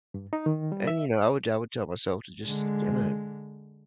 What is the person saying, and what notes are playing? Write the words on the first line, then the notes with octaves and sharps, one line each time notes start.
and, you know, I would I would tell myself to just kinda,
G2
D#4
D#3
G3
E5
D3 G#3